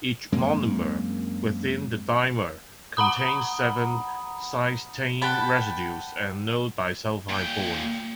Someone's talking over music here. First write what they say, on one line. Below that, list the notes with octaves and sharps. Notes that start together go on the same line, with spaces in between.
Each monomer within the dimer contains seven cysteine residues and no disulphide bonds.
F#2 G#3 A#3 C4
F#5 A#5 B5 D#6
F#5 G5 A5 B5
A#2 G5